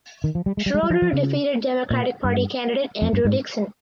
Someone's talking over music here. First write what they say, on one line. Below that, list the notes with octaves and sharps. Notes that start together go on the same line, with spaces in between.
Schroeder defeated Democratic Party candidate Andrew Dixon.
D#3
F3
G3
G#3
G3
G#3
G3
F3
F3
C#3
A#2
G2
F2
G2
G#2